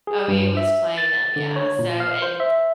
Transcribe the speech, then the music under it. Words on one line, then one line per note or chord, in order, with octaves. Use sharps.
OU was playing them, yeah, so, and
G#4
G2
E5
A6
D3
C#5
A#2
F5
C5
E5